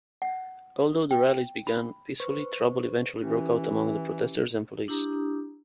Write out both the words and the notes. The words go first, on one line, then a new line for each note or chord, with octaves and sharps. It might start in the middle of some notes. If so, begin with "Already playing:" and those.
Although the rallies began peacefully, trouble eventually broke out among the protesters and police.
F#5
G5
B5
B4 C5 C#6
E3 C#4 E4 G4
D4 E4 G4 A#5 D#6